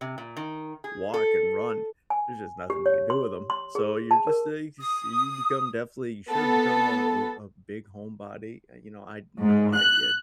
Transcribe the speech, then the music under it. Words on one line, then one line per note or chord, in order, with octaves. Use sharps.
walk and run, there's just nothing you can do with ‘em. So, you're just, eh, you can see you become definitely you should become a a a big homebody, eh, you know, I know I did.
C3
A#2
D#3
G#4
A4
G#5
G4
C#5
C6
C6
G#4
A5
A#4
D#6
B3 A4
G#2
F#6